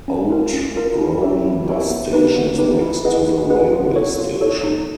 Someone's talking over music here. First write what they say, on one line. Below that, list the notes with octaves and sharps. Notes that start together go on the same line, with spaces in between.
Old Roan bus station is next to the railway-station.
C#4
F4 A#4
C#4
F4 A#4
E4
G4 A#4 C#5 E5
E4
G4 A#4 C#5 E5
B3
D#4 G4 B4
B3
D#4 G4 B4
E4
G#4 B4 D#5 F#5
E4
G#4 B4 D#5 F#5
F4
A4 C#5
F4
A4 C#5
D#4